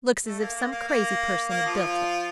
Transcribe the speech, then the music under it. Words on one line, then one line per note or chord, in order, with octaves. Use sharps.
Looks as if some crazy person had built it.
A3
A#3
A#3
A#3
A#3
A#3
F3 F4